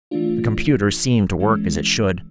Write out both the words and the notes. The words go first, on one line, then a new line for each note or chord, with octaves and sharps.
The computer seemed to work as it should.
E3 A3 D4 F4
E3 G#3 C#4